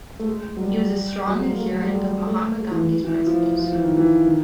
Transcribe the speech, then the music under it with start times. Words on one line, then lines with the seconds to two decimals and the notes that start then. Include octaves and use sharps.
He was a strong adherent of Mahatma Gandhi's principles.
0.19 A3
0.28 G#3
0.57 F#3
0.61 G3
1.28 F#3
1.38 G#3
1.49 A#3
1.61 A3
1.72 F#3
1.83 G3
1.94 G#3
2.27 A3
2.60 G#3
2.71 E3
2.82 E3
3.04 E3
3.16 E3
3.27 F3
3.59 F3
3.72 E3
3.85 D#3
3.97 E3
4.26 D#3